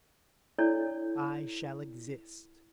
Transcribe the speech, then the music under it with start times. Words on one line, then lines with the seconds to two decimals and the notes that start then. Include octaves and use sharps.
I shall exist.
0.59 D4 E4 A4 C#5 D5